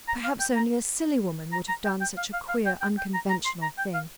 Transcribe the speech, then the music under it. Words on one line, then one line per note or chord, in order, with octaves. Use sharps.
Perhaps only a silly woman would have done such a queer, unconventional thing.
A#5
F5
G5
A#5
A#5
A#5
G5
G5
F5
F5
F5
G5
G5
G5
A#5
A#5
C6
A#5
G5
F5